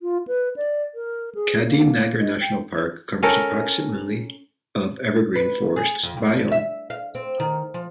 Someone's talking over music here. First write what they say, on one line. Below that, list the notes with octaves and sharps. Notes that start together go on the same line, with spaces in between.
Khadim Nagar National Park covers approximately of evergreen forests Biome.
F4
B4
D5
A#4
G#4
A#3
D#5
G5
C#4 A4 A#4
B4
G#4
F2
G2
E5
F5
C4
D#3
F3